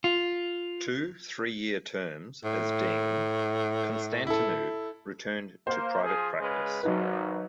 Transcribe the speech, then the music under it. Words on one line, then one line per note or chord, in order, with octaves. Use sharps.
After two three-year terms as Dean, Constantinou returned to private practice.
F4
A2
E4 A4
A#3 C5
F3 G#4
C#3 G#3 B4
G#1 F#3 D#4 B4